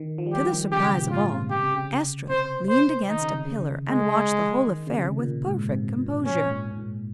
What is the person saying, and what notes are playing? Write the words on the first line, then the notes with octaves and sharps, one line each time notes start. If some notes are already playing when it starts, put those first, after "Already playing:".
To the surprise of all, Estra leaned against a pillar and watched the whole affair with perfect composure.
Already playing: D#3
F3
G3
F3 G4
D#3
C#3 G4
A#2
G#2
A#2 F4
C3
C#3 G4
C3
C#3
C3 C5
C5
D#3 D#4
C#3
C3
C#3
G#3
D#3
C#3
C3
A#2
G#2
C3
A#2
C3
A#2 C#4
G#2
A#2
A#2
G#2